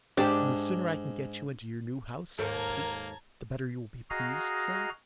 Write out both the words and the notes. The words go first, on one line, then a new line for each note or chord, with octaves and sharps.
And the sooner I can get you into your new house, complete, the better you will be pleased, sir?'
G#2 D4 G4
D#2 G#2 A#3 A4 A#4 A5 A#5 G#6
F#4 G#4 D#5 F5 A#5